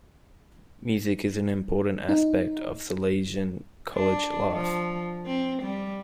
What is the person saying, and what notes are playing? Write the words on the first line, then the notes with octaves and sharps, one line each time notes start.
Music is an important aspect of Salesian College life.
D#4
D4
F3
C4
G3